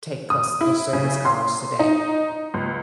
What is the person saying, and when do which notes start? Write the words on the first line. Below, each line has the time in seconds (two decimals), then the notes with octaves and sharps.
take customer service calls today,
0.30 D#6
0.61 E4
0.93 C#3
1.25 C6
1.79 D#4
2.54 C#2